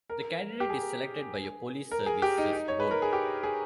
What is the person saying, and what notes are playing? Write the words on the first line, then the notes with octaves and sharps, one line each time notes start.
The candidate is selected by a police services board.
A#4
G4
G#4
A#4
G#4
G4
D#4
D#4
C#5
B4
A#4
G#4
G4
G#4